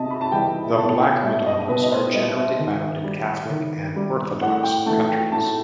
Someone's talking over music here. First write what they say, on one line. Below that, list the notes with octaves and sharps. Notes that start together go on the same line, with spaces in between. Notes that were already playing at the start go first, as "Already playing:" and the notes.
The Black Madonnas are generally found in Catholic and Orthodox countries.
Already playing: C3 D#5 E5 A5
B5
A5
E3 G3 G5
B2 A5
G5
G3 E5
D#5
B2 B4
D#5
C5
G3 D#5
E5
D#3
G3
D#3
G3
A2 F#5
G5
E3 A3 A5
G5
A2 A5